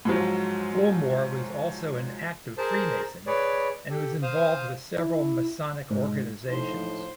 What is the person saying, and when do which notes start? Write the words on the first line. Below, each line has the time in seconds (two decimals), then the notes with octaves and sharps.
Bullmore was also an active freemason, and was involved with several masonic organizations.
0.05 G#2 F3 F#3
2.58 G#4 A#4 C5 A5
3.27 G#4 B4 C#5 D5
3.90 G4 A4
4.22 C5 F5 D#6
4.99 E4
5.90 G#2
6.48 A2 F3 D#4 C5